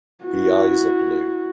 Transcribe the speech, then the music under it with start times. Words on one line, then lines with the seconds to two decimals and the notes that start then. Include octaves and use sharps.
The eyes are blue.
0.24 E4 F#4